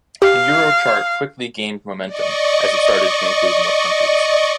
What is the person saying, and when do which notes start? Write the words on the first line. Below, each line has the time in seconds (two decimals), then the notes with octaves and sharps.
The Eurochart quickly gained momentum, as it started to include more countries.
0.22 G4 F5
2.06 D5 D#5 C#6